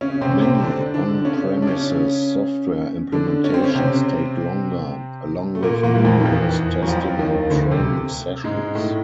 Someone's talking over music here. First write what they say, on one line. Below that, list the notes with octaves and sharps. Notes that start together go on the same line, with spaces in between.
Many on-premises software implementations take longer - along with numerous testing and training sessions.
C#3 C#4
C3 C4
C3 C4
D3 D4
D3 D4
C#3 C#4
D4
C#3 C#4
D3 D4
C#4
C4
C#3 C#4
C3 C4
A3
A#2 A#3
A#2 A#3
E3
F2 F3
D#3
E2 E3
F#3
F2 F3
D#2 D#3
D2 D3
C3
G#2 G#3
A2 A3